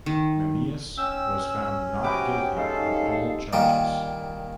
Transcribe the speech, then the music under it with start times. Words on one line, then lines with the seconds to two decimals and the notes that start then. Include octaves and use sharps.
Memmius was found not guilty of all charges.
0.06 D#3
0.97 C#4 G5 E6
2.04 C3 F#3 B4 G5 A#5 D6 D#6
2.57 G#3 C4 D#4 A4 F5
3.53 A#2 D#3 G3 A#3